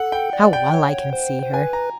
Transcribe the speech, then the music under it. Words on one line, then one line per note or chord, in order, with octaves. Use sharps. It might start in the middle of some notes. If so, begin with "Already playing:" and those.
How well I can see her!
Already playing: A4 F#5
G5
D5
G5
C#5
C5
C5
B4 G#5
A#5